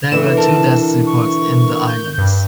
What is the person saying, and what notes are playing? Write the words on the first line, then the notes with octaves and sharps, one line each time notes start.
There were two deaths reports in the islands.
B2 D3 E3 E7
A#4 A5
C#6
G6
G2